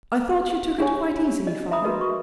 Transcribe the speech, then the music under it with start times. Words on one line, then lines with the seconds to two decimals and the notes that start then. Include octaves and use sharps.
"I thought you took it quite easily, father."
0.78 D4 G4 C#5 G#5
1.47 D#5
1.71 E5 A#5 B5 D#6
1.84 F#4 A#4 B4 D#5
2.01 C#6